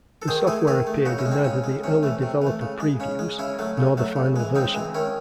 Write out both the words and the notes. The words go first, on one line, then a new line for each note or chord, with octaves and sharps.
The software appeared in neither the early Developer Previews nor the final version.
A4
D#3 G#4 C5
A3 E4 G#4
D#3 E4 G#4
A3
C#3 D#4 F#4
C#4 E4
G#3
C4 D#4
C#3 C#4
G#3
C3 C#4
E3 A3
C3
E3 A3
C#3
G#3
C#3 C#4
G#3
C#3 C#4 E4
F#3 A3
C#3
F#3 A3
C#3
E3 G#3
C#3 C4 D#4
E3 G#3
D#3 C#4 E4